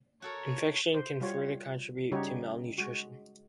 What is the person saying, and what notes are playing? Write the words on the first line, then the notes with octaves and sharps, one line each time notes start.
Infection can further contribute to malnutrition.
F#4 A4 A#4 C#5
C5
G3 F4 F#4 C#5
C#3 G3 D#4 F#4 G4 C#5
G#3 F#4